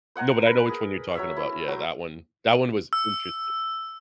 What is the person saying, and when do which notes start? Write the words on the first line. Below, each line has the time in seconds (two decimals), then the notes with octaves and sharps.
no, but I know which one you're talking about. Yeah. That one that one was interesting.
0.16 C5 F#5 G#5 A#5
0.42 A#4 B4
0.69 G#4
1.15 F#3 C#5 E5
1.36 E4
1.68 F#3 C5
2.93 E6